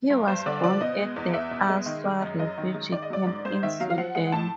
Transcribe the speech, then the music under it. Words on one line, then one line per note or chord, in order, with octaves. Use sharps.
He was born at the Aswa refugee camp in Sudan.
G2
G2 C5
D3 D5
F3 D5
B2 D#5
G#3
E2
E2 E5
B2
G#3
D#3
G#3
F#2
F#2 D#5
D#3
G#3
D#3 D5
D#5
F#3 D5
G#2
G#2 C5
D#3 E5
F#3 F5
F5
F3 F#5
G#3 F#5
A2 A5